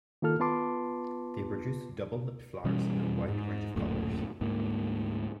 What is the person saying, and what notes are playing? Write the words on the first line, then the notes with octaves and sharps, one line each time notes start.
They produce double-lipped flowers in a wide range of colours.
D#3 A#3 F4 A4 F6
B3 F4 B4 A5 C6 D6
B2 E3 G3 C#4
G#2
D1 F#2 A#2 A3
D2 G#2 A#3